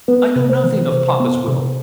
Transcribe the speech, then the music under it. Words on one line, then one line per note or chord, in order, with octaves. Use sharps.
'I know nothing of papa's will.
B3 B4
C3
C5
E3
C3 C5
B3
C3